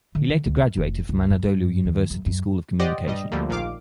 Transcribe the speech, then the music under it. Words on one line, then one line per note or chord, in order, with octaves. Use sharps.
He later graduated from Anadolu University School of Communication.
D3
D3
D2
G3
F1
C#2
F#2
G2
D#2
F#2
F#2
G4 C5 D5 D#5 F#5
G2 G3 D#5
D2 D3 F3 G3 A3 A#3
A#1 A#2 D#3 F5 D6